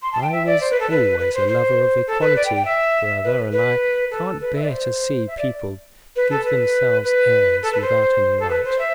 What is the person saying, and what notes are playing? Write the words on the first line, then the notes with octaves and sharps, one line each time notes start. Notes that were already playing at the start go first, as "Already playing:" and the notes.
I was always a lover of equality, brother, and I can't bear to see people give themselves airs without any right.
C6
A5
G5
E5
D5
C5
B4
A4
B4
B4
C5
C5
A4
B4
D5
G5
G5
E5
B4
B4
A4
B4
E5
D5
C5
E5
D5
B4
A4
B4
B4
A4
B4
C5
A4
B4
C5
E5